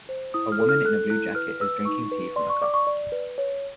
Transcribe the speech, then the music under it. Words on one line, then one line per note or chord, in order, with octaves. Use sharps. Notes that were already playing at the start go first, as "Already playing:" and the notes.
A woman in a blue jacket is drinking tea from a cup.
C5
E4 D#6
F6
A4
F6
A4 F#6
E4 F#6
B4 F6
B4 E6
D#4 C#6
B4
D5 C6
C#6
D5 D6
C#6
D5
B4
C#5